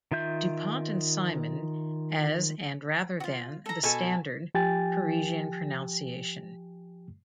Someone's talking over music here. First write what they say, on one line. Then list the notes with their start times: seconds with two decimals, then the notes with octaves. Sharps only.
Dupont and Simon as and rather than the standard Parisian pronunciation.
0.12 D#3 F4 E5 G6
3.20 F4 F#4
3.66 A4 A#5
3.83 B2 A4 G#5 A5
4.54 F3 G4 G5 G#5 A6